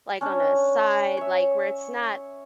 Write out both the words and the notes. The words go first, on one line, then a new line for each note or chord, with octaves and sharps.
like, on a side like, where it's not
C#4 D4
C#5 E5